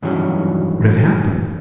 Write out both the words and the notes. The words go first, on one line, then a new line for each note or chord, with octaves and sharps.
What had happened?
G2 D#3 E3 F#3 C#4